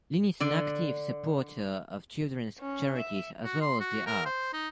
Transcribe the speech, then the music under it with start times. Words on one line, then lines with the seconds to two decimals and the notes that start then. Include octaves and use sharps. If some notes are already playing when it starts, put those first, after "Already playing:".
Linn is an active supporter of children's charities as well as the arts.
0.40 D3 D5
2.60 C#4
2.98 E5
3.45 F#4
3.61 C6
3.80 F#4
4.06 A#4
4.26 C5
4.53 D#4